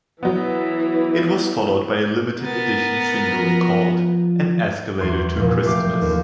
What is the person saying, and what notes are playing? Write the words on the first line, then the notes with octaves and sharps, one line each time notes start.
It was followed by a limited-edition single called "An Escalator to Christmas".
E3 F#3 B3
B3 A#4 A6
F3
E2 C6 D7
F1 A#2
A3 G4 F5 D6
D#2